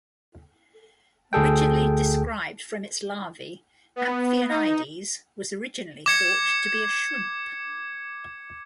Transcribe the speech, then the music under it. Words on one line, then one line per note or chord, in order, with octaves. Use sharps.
Originally described from its larvae, "Amphionides" was originally thought to be a shrimp.
D2 G#4 A4 G5
B3
D#4
D6 G#6 C#7